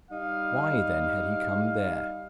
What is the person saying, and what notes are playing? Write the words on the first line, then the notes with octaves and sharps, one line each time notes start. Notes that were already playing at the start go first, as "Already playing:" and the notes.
Why, then, had he come there?
G3 D#4 F5